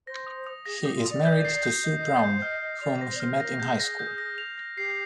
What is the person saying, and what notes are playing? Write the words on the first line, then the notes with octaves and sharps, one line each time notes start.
He is married to Sue Brown, whom he met in high school.
C5 A#6
D#6
D#6
G#4 A#6
G4 D#6
F4
D5 D#6
G6
C7
G6
D#5 G6
D#5
G6
D5
C5 G6
D#5 F6
D#5 F6
D5 F7
C5 A#6
D5
C5 F6
A#4 A#6
G#4 G6
A#6
G6
A#6
F7
A#6
G4 C7